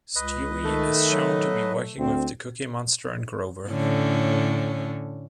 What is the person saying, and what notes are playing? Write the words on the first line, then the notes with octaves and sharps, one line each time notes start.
Stewie is shown to be working with the Cookie Monster and Grover.
C#2 B4 D#5
D#3 A3
F#3
D2 C4
A2 D3 C#4